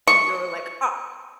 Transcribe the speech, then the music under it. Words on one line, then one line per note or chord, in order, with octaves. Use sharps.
And we were like, "Ah."
C#6